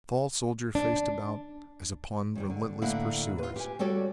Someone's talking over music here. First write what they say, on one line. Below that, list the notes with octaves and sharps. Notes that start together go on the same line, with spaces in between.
The tall soldier faced about as upon relentless pursuers.
D4
G2 D#3 G3
D3
A2 D3 A#3 E4 F5 F#5
F4 B4
G4 G#5
G3 F#4 G4 A4 C#5 D5